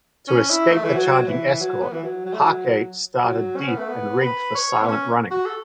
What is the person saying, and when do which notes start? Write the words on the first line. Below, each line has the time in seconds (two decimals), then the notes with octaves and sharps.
To escape the charging escort, "Hake" started deep and rigged for silent running.
0.28 C#4
0.50 E4
0.72 A3
0.84 E3
0.94 F#3
1.27 E3
1.60 F#3
1.82 B3
1.93 E3
2.03 F#3
2.26 F#3
2.33 A3
2.41 F#3
3.24 F#3
3.56 C#4
3.68 B3
3.78 A3
3.89 B3
4.22 B4
4.55 C#5
4.82 B3
4.88 C#4
5.31 F#4
5.45 A4